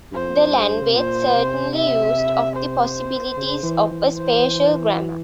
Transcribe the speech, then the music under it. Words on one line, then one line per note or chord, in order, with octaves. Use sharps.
The language certainly used of the possibilities of a spatial grammar.
G2
F2 C5
G#2
G2
C#3
C3
A#2 C5
C3
E5
C5
C#3
E3
E3
C5